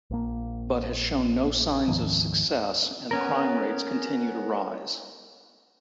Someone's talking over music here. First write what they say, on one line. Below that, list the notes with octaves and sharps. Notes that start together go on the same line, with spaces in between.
But has shown no signs of success and crime rates continue to rise.
A#1 A#3
D2 G#2 D#3 F3
B3 C#4 A#4